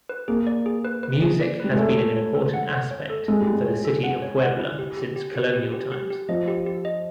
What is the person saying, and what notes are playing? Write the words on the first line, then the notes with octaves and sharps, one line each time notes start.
Music has been an important aspect for the City of Puebla since colonial times.
B4
A#3 G#4
D5
G#4
B4
B4
G#4
D5
G3 B4
G#3
A3 C#5
C#5
C#5
A4
F#5
F#5
C#5
A4
G#3 A4
G3
E4
G#3
C#5
A4
F#5
C#5
F#5
E4
G4
G4
G4
G4
G4
G4
G4
G4
F3 D#5
G4
G4
D#5